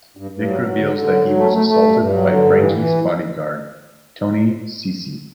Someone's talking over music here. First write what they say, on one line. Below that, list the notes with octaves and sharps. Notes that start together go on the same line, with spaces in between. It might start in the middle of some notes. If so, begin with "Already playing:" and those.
Vic reveals that he was assaulted by Frankie's bodyguard, Tony Cicci.
G2
G2
F#3
F#3
D3
D3
F#3
F#3
A3
A3
A3
G2
G2
F#3
D3
G2
E3
E3